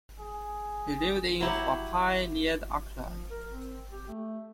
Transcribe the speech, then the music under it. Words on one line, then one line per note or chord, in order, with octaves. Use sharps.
He lived in Huapai near Auckland.
G#4
F#3 E4 G4
F3
A#4
C4
G4
A3